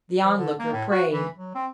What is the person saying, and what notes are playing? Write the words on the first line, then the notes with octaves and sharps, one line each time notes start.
The Onlooker prayed.
F3
D3
A#3
A2
F#4
E3
F#3
C4